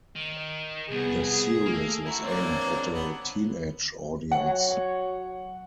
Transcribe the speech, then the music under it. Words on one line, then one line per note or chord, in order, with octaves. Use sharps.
The series was aimed at a teenage audience.
D#3
C2 B3 G#4
A3 A#3
E4 F#4 A#5
A#3 C4 D4 C#5
B3
F#3 C#5 F#5